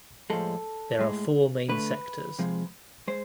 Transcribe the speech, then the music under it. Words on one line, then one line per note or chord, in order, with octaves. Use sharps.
The are four main sectors.
A2 F3 G#3 A4
A2 G#3
D3 A3 B4
C3 F3 G#3
G#3 C5